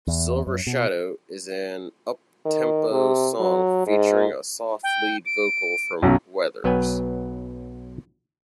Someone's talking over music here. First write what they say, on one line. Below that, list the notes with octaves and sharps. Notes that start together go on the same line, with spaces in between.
"Silver Shadow" is an uptempo song featuring a soft lead vocal from Weathers.
E2
F#2
B2
D#3
C3
F#3
G#2
G5
D7
B1 F#2 F#3
B1 F#3 B3 B4 G5 G#5